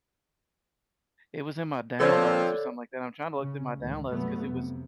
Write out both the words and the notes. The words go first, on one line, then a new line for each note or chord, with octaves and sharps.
It was in my downloads or something like that. I'm trying to look through my downloads, 'cause it was
F3 C4 A4 C#5 D5
C#3 C#4
C#2 A2 D#3
C2 G2 C3 F#3 A3 B3
F2 C3